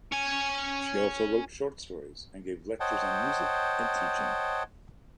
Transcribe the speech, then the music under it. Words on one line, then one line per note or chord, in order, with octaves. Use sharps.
She also wrote short stories and gave lectures on music and teaching.
C#4 G#5
C5 C#5 D#5 F#5 G5 A5